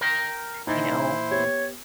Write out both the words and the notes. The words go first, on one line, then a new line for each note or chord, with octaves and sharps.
you know
A#4 G5
A#2 E3 D#4 E4 C5
B3 G4 C#5